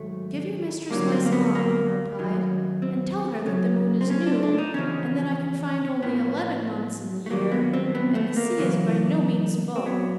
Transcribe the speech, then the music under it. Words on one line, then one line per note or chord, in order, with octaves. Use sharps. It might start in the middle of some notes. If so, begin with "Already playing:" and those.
"Give your mistress my salaam," he replied, "and tell her that the moon is new, and that I can find only eleven months in the year, and the sea is by no means full."
Already playing: G#2 D#3 F#3 A3
G2 D3 F#3 A#3
C4
A#3
B3
A#3
F#2 D#3 F#3
C4
F#2 C#3 F#3
C4
C#4
D4
D4
D#4
E2 C#3 F3 C#4
A2 F3 B3
A3
G2 D#3 F#3 A#3
B3
C4
B3
A3
A#3
F#2 C#3 E3
C4
A#2 F#3 B3